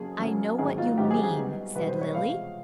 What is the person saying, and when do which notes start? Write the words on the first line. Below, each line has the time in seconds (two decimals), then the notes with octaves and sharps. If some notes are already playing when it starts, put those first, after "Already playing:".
"I know what you mean," said Lily.
Already playing: F2 C#3 F#3 A#3 G#4
0.20 F2 C#3 F#3 A#3
0.58 G#1 G#2 D#3 F#3 G#4
0.78 F4
0.97 G#1 G#2 D#3 F#3 G4
1.11 G#4
1.23 G#4
1.36 B1 B2 G3
1.75 B1 B2 G3 B4
1.89 C5
2.01 C#5
2.14 E2 C3 F3 G#3 F5